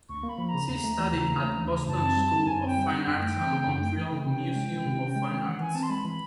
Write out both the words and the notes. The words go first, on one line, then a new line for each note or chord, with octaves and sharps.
She studied at Boston School of Fine Arts and Montreal Museum of Fine Arts.
D2 C#6
A#3
B5
F3
A#5
C#3
D#2 A#5
A3
E3
C#3
D#2
A3
E3
C#3
F#2 A5
C4
G3
D3
F#2 G#5
C4 G5
G3
F#5
D3
F#2 G5
A3
E3
C#3
F#2
A3
E3
C#3
C3 G5
C#4
G#3
D#3
C3
C#4
G#3
D#3
E3 F#5
E3 G#5
C4 A5
C6
G#3 B5
E3